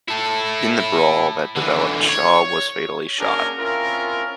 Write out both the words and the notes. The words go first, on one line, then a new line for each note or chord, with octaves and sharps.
In the brawl that developed Shaw was fatally shot.
E4 A4
D3 E3
C#5
A#3 C#4 D4 F#4 G#4 A#4
C4 C#4 E4 F4 A#4